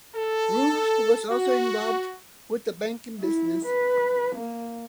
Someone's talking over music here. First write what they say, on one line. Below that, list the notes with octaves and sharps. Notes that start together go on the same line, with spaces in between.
Roos was also involved with the banking business.
A4
F#4
E4
B4
A#3